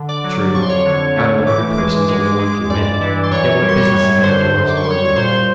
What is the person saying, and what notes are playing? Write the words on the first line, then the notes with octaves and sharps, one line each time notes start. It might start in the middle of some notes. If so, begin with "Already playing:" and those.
True, out of a hundred persons, only one can win; yet what business is that of yours or of mine?
Already playing: D3
D5 D6
F#3
F2 C#6
C6
C#5 C#6
D3
A3
E3 D6
D6
G#3
D6
G#3
D6
G#3
D6
G2 D5 D6
E3
C6
F#2 C#5 C#6
G3
C6
C#5 C#6
F#2
D3 C5 C6
F#2
D6
C#6
G3 C6
C#5 C#6
C#6
A#2 C5 C6